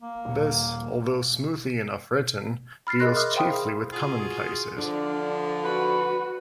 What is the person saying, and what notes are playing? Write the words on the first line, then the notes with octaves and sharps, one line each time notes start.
This, although smoothly enough written, deals chiefly with commonplaces.
A#3
D#1
B5 F6 A6 C7
G#4 A#4 D#5 C6 F#6 A#6
E5 D6 D#6 F6 F#6
C5 F5 G5 B5 C6 D#6
G#4
F4 F#4 G#4
D3 F3 D4
F#4 B4